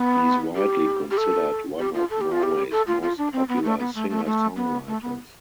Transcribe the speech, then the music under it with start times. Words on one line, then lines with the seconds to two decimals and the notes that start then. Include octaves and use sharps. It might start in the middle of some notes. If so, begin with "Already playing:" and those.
He is widely considered one of Norway's most popular singer-songwriters.
Already playing: B3
0.56 G4
1.11 G4
1.18 A4
1.79 G4
1.94 F4
2.10 A4
2.21 G4
2.32 F4
2.43 G4
2.71 A4
2.87 F4
3.02 F4
3.18 D4
3.33 C4
3.49 B3
3.64 A3
3.80 B3
3.95 A3
4.10 A3
4.26 A3
4.56 B3
4.87 A3
5.03 B3